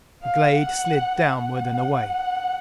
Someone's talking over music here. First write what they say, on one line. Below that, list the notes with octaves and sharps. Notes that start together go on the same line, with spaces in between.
The glade slid downward and away.
F5
F#5
F#5